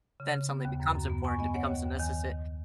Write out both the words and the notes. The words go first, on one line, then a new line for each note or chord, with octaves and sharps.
Then something becomes important, it becomes a necessi
C#3
C#3
B3
D#2
F#2
F#2
B3
B3 G#5 C#6
B3 D#5 G#5
B3 C#5 F#5
D#2
D#2
D#3 D#5 G#5